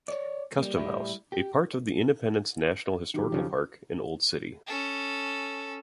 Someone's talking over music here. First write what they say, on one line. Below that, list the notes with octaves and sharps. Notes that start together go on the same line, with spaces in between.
Custom House, a part of the Independence National Historical Park, in Old City.
C#5 D5
G3 A#3
A2 G3 E4
G4
D#3 F#3 G4
F2 C#3 F3
C#4 A4